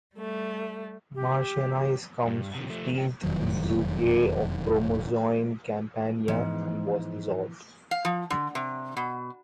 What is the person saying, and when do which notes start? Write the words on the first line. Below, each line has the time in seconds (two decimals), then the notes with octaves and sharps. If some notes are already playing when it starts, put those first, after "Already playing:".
Marcianise comes fifteenth in Group A of Promozione Campania and was dissolved.
0.16 G3 A3
1.15 G4
2.27 G2
2.55 C3 D#3
2.69 F3 A3
2.94 C#3 G5
3.24 E1 F2 D#3 F#3
6.28 G#2 E3 F3 B3
7.91 F5
8.05 F3
8.30 D3
8.55 C3
8.97 B2